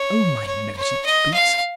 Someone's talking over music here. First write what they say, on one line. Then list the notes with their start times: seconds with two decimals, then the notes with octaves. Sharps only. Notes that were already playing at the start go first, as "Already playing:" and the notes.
O my noisy boots!
Already playing: C#5
0.47 C#5
0.77 C#5
1.06 D#5
1.34 F5